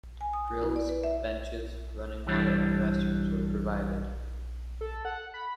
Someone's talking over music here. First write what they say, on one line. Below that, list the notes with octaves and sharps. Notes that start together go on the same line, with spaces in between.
Grills, benches, running water and restrooms were provided.
G#5
D#6
D#6
E4
D5
B4
E5
G2 E3 G3 D4
A4
F#5
B5